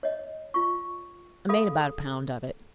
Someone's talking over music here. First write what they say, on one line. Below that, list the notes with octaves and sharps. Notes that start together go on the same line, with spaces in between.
I made about a pound of it.
C#5 D#5
F4 C#6
G#4 A4 F5 B5 D#6